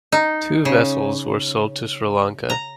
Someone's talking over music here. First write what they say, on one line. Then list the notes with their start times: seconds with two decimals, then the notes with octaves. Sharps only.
Two vessels were sold to Sri Lanka.
0.12 D#4
0.65 C#3
2.50 A#5